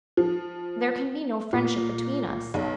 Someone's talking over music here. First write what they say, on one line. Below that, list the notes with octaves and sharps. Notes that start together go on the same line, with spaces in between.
There can be no friendship between us.
F3
A#2
B1